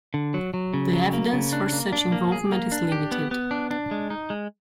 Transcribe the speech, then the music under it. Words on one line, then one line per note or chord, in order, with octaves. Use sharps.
The evidence for such involvement is limited.
D3
F#3
F#3
C#3
F#3
A#3
C#3
D4
A#3
D4
A#3
G#4
A#3
D4
G4
B3
B3
D4
D4
G#3
D#4
G#3